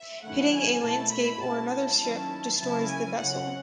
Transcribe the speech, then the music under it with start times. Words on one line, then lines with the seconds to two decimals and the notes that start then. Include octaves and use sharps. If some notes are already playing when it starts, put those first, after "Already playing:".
Hitting a landscape or another ship destroys the vessel.
Already playing: E5
0.24 D#3 F#3 A3 C#4 E4 F#5
0.54 G#5
0.83 B2 F#3 A3 E4 A5
1.13 B5
1.42 B2 G#3 C#4 E4 A5
1.71 A5
2.00 D#3 F#3 C#4 E4
2.59 C#3 F#3 C#4 E4 A5
2.88 G#5
3.18 C#3 F#3 C#4 F#5